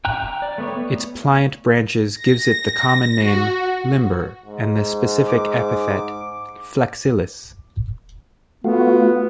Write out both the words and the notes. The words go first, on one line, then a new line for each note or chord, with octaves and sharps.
Its pliant branches gives it the common name "limber" and specific epithet "flexilis".
G5 A#5 F#6
D5
A3 B3 C#5
A#6
F#4
G#2
D6
A3 B3 F4 F#4